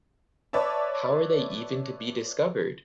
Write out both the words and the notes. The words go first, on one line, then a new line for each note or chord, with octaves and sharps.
How are they even to be discovered?
B4 C#5 D5 E5 A5